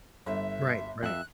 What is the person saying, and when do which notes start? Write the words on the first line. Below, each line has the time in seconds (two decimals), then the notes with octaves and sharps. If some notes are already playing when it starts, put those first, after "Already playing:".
Right, right.
0.26 G1 E5
1.03 F2 E5 F#6